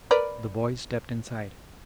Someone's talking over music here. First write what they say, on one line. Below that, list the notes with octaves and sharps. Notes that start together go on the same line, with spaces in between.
The boys stepped inside.
A#4 B4 D5